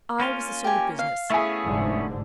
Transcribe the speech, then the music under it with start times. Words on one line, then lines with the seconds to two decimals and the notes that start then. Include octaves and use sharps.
I was the soul of business.
0.20 A#3 C#4 F4
0.64 G4 G#5
0.99 F5
1.30 A3 B3 C#4 E4 G#4
1.64 F1 G#2 D3